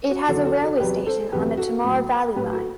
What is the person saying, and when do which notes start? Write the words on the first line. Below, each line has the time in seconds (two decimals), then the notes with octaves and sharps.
It has a railway station on the Tamar Valley Line.
0.11 F#4
0.28 E2 D3 F#3 F#4 A4
0.45 F#4 A4
0.62 F#4 A4
0.80 E2 C3 F#3 G4 B4
1.06 A4 C5
1.32 E2 C3 F#3 G4 B4
1.57 F#4 A4
1.84 A2 F#3
2.36 A2 F#3 G4 B4
2.53 F#4 A4